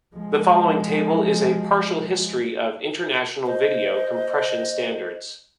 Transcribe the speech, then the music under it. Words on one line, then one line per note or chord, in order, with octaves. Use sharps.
The following table is a partial history of international video compression standards.
F3 G#3
C5 D#5